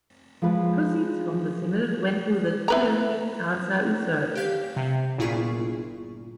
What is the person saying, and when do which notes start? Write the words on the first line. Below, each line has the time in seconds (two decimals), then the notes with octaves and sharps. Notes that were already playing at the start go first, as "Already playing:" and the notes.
Proceeds from the single went to the charity Cancer Research.
0.42 F3 G#3 F4 B4
2.68 E4 B4 A#5
4.35 G4 F5 G6
4.76 C3
5.18 G1 A#2 E4 F4 G#4 C#6